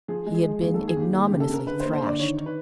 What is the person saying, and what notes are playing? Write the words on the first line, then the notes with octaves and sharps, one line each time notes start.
He had been ignominiously thrashed!
F3 G#4
G#3
G#4
G#3
D#2 G#4
D#2 A4
G#4
D#2 G4
A#3
C#3 G4
A4
C#3 A#4
D3 B4
C5
A#3
C5
D3 D5
D#3 C#5
D#3
B4